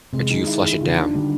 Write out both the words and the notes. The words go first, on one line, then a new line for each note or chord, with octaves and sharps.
or do you flush it down?
C3 G#3
D#3
E4
D#3
C#3 F4
D4
D3 G3